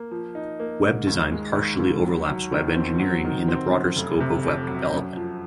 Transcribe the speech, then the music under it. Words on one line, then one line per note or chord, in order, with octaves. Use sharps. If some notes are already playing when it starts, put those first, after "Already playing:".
Web design partially overlaps web engineering in the broader scope of web development.
Already playing: A#3
F3
D#4
A#3
G#2
D#2
G#3
D#2
D#2
F#3
F#3
D#3
C4
F#3
D#3
C4
F#2
F1
C3
F2
F#3
F#2
F3